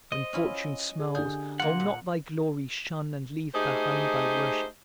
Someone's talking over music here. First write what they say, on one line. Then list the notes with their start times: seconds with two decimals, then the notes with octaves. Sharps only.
When fortune smiles I'll not thy glory shun and leave behind Thy worship!
0.12 C5 D#5
0.33 C#4 E4 F4
0.99 G#4
1.15 D3 G4 G#4 G6
1.60 A#3 F4 F#5
1.80 A#2
3.54 A3 D#4 G4 G#4 C5 D#5